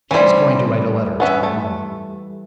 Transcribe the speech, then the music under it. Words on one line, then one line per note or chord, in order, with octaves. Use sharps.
She was going to write a letter to her mamma.
E3 G3 C#4 C5
B3 C#4 E5
A3